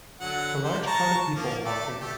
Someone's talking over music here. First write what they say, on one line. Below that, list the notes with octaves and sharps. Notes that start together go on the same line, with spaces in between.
A large crowd of people walking.
D3 F#3 F#5
G4 C5
A5 A#5 C#6
F3 A#3
A3 A4 D5
A3 G4